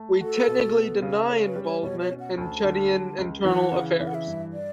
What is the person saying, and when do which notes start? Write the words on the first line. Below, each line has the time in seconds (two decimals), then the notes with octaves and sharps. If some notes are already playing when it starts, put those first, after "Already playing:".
We technically deny involvement in Chadian internal affairs.
Already playing: A3
0.21 F#4 A4
0.47 B2
0.74 B3
1.02 C#3
1.29 C#4 A4
1.47 B4
1.56 G3
1.65 C#5
1.83 B2 C#5
2.01 C#5
2.11 C#4
2.20 F#5
2.37 D2 A5
2.64 D3
2.91 G3
3.18 C#2
3.45 E3 F#5
3.72 C#3
4.00 E3 E5
4.07 F#5
4.15 E5
4.27 G2
4.53 D5